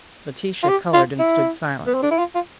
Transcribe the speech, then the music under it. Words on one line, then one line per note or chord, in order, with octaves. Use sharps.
Laetitia coloured and stood silent.
F4
G4
F4
E4
B3
C4
D4
E4
F4
F4